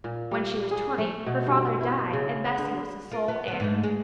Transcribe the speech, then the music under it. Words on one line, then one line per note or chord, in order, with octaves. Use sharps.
When she was twenty her father died and Bessy was his sole heir.
A#2
G3
G#4
A3
B2
G2
E4
C#3
B3
D3
F4 A#4
B3
D2 B3
G#2 A3
G#3